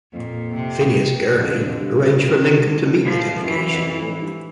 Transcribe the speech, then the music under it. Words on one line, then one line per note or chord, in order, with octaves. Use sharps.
Phineas Gurley, arranged for Lincoln to meet the delegation.
F2 A#2
C3
F2 D3
E2
F2
G2
D#3
G2
G#2
F3
F2
F#2 E3
F#2
F2
E3
A2
G#2
G2